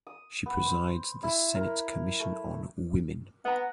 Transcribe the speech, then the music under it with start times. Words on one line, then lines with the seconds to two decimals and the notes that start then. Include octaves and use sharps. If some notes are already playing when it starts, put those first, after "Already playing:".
She presides the Senate commission on women.
0.07 D#6
0.46 B3
0.66 C5
1.23 E4
1.55 A#4
2.20 A3
3.45 B3 F#5 A#5